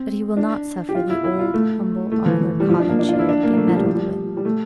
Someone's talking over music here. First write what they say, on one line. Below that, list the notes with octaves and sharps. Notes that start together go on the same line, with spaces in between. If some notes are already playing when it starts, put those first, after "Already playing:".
But he will not suffer the old, humble Arler cottage here to be meddled with.
Already playing: C4
D4
G4
F4
E4
E4
F4
A3
A3
E3
E3
G3
F3
D4
A#3
D4
F4
D4
E4
D4
A#3
A#3
A3
F3
G3
F3
G3
G3
A3